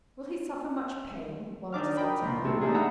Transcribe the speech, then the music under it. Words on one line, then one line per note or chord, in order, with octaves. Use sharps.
"Will he suffer much pain, while it is getting well?"
D#3 D4 D6 F6
A#4 D#5 G5 B5
C2 A#2
C3 G3 A3
A3 A#3 D4 D#4 G#4
E5 F#5 A#5 B5 E6